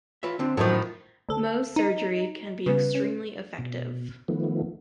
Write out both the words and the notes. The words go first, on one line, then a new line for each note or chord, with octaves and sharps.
Mohs surgery can be extremely effective.
F4 B4 C#5 E5
D3 C4 D4
F#2 A2 D#3 F3 F#3 C5
D2 A4
D#4
C#3 G3 B3 B4
C#4
B2
D#3 F3 A3 B3